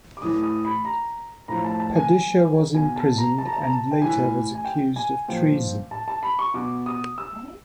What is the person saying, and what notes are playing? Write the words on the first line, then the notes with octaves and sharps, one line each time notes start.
Padishah was imprisoned and later was accused of treason.
D6
A2 E3 D#6
D#6
B5
A#5
A2 F3 A#5
A5
A5
G#5
B2 G#5
A5
A#5
A5
A#5
A5
A#5
A5
G5
A2 E3 G#5
G#5
G5
G#5
A#2 F3 G5
A5
A5
B5
C#6
B2 D6
D#6
E6